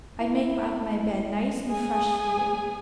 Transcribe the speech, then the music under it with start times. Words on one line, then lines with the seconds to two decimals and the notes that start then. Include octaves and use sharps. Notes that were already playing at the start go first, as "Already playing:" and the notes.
I'd make up my bed nice and fresh for you.
0.21 E4
1.69 G#4 G#5